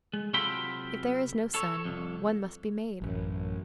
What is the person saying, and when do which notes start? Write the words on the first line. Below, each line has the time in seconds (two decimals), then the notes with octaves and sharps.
If there is no sun, one must be made.
0.13 G#3
0.33 C3 F#3 F4 A4 G5 B5
1.55 A4 C#5
1.85 C2 F2
3.02 A1 F#2